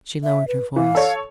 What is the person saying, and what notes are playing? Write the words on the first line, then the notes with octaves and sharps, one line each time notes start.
She lowered her voice.
E5
B4
E3 F5
A4 C#5